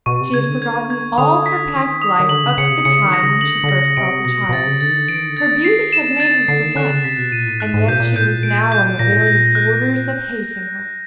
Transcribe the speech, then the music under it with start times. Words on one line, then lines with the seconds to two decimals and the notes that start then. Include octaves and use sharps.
She had forgotten all her past life up to the time when she first saw the child: her beauty had made her forget, and yet she was now on the very borders of hating her.
0.06 B2 C#6
0.21 C3
0.34 C#3 G#6
0.48 D3
0.62 G#6
0.90 G#6
1.18 D3 D#6
1.46 B6
1.74 D#3 D#6
2.02 D#6
2.20 D#3
2.29 D3 F#7
2.44 C#3
2.58 C#3 C#7
2.72 C3
2.85 C#3 C#7
3.04 D#3
3.14 A#6
3.23 C#3
3.41 D3 F#7
3.64 D3
3.69 C#3 A#6
3.97 C3 D7
4.24 B2 A#6
4.49 B2
4.53 C3 A6
4.67 C#3
4.81 D3 A6
4.90 D#3
4.95 D3
5.08 E3 D7
5.19 D#3
5.29 D3
5.37 D#3 A6
5.64 C7
5.93 E7
6.20 D3 A6
6.35 C#3
6.48 D3 C7
6.63 D#3
6.76 D3 F#6
6.90 C#3
7.04 C3 B6
7.18 B2
7.32 A#2 D#7
7.46 A2
7.60 G#2 F#6
7.74 G#2
7.88 B2 G6
8.00 A#2
8.13 A2 G6
8.26 A#2
8.43 D7
8.72 G6
8.99 A#2 A#6
9.09 A2
9.18 A#2
9.27 A#6
9.55 F#6